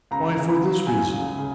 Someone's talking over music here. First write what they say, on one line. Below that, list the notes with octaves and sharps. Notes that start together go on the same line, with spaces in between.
'Why, for this reason.
C#2 A#5
C#3
B5
F#3
C#2 G#5
C#2
C#3